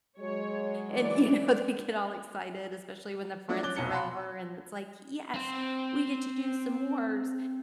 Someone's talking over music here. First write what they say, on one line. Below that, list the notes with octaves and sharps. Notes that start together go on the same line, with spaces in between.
and, you know, they get all excited, especially when the friends are over, and it's like, "Yes. We get to do s'mores."
F#3 G#3 C#5
E3 D5
F3 A3 D4 F#4
C#4 D6 F#6 A6 G7
F1 B1 G#5 A5 C#7 G7
F5 A5 B5 C6
C4 C5